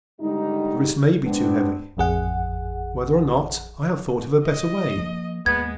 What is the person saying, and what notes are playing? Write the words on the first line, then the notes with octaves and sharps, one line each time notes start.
The risks may be too heavy. Whether or not, I have thought of a better way.
G#2 D3 D#3 G3 D#4
G#3 B3 C4 D4
A1 F2 G#4 F#5
D#5
F3 A#3
D#2 G#2 G#3 A#3 B3 G#6